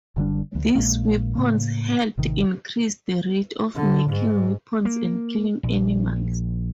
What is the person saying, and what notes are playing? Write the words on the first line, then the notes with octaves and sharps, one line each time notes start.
These weapons helped increase the rate of making weapons and killing animals.
F#1 D3 G3 D4
D2
A#1 A#2 G#3 A#3
A2 C#3 A#3
A1 C3 D#3
D3
G#2
A#3
A#1